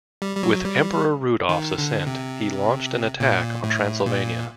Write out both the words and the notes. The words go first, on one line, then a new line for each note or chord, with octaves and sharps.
With Emperor Rudolph's assent, he launched an attack on Transylvania.
G3
G3
F#3
G3
D#3
D3
C3
A#2
A2
A#2